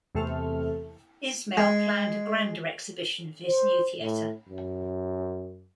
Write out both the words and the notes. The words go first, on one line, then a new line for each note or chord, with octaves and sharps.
Ismail planned a grander exhibition for his new theatre.
E2 C3 A3 A4 F6
G#3
C5
A2
F#2